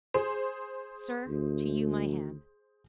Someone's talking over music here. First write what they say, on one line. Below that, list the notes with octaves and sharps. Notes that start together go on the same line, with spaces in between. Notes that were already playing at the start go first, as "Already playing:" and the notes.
Sir, to you my hand.
G#4 C5
D2